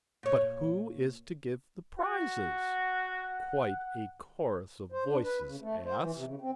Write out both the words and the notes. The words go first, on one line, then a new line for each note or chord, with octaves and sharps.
'But who is to give the prizes?' quite a chorus of voices asked.
A#2 C#5
F#4 F#5
C5
D4
B4
C#3
A3
C5
E3
C3
C#3
C4